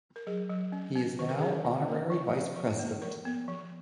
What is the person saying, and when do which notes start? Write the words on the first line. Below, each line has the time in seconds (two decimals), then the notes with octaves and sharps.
He is now Honorary Vice-President.
0.16 A#4
0.27 F#3 G#4
0.50 F#3
0.72 C#4
0.96 C#4
1.19 D#3 B4
1.29 A#4
1.39 C#4 G#4
1.49 A#4
1.64 D#3
1.88 A#3
2.10 F3
2.34 C#4
2.56 F3
2.79 A#3
3.02 F3 A#4
3.25 B3
3.48 F3